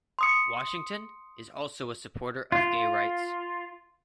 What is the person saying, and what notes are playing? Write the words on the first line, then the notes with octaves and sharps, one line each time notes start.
Washington is also a supporter of gay rights.
C6 D#6 C#7
F4